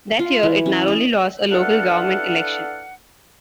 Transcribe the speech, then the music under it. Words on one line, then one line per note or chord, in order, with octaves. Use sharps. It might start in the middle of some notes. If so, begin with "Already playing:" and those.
That year it narrowly lost a local government election.
F4
E3
C#4
D#5
D4 E4 A4 B4 F5 F#5